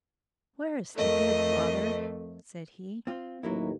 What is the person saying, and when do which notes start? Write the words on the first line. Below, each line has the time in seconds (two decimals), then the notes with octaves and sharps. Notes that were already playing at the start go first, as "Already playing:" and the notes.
'Where is the good, father?' said he.
0.97 F2 A3 A#4 D#5
3.07 C4 F4
3.43 A1 D#2 F#3 A#3 E4